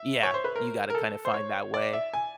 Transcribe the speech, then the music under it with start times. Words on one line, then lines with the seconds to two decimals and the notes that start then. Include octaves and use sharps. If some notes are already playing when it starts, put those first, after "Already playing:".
Yeah, you gotta kind of find that way.
Already playing: E5
0.23 C#5
0.34 C5
0.44 B4
0.56 A#4
0.90 A#4
0.95 A4
1.25 C5
1.34 C#5
1.74 D5
1.93 E5
2.14 G#5